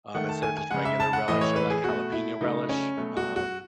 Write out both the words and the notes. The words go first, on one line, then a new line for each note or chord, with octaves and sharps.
um, instead of just regular relish- I like jalapeño relish- um,
D#3 A3 F#5
A5
G#5
G#5
C#3 G#3 F#5
E5
A5
F#5
A2 E3 A3 D#5
C#5
B4
G#4
B2 A3 F#4
E4
C#3 F#3 A3 D#4
C#4
B2 F#3 A3
F#4
F#4